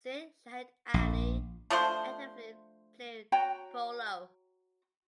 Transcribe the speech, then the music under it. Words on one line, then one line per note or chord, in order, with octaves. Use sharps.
Syed Shahid Ali actively played polo.
A#1
F3 A3 D4 C5
F#4 C#5 G5 A#5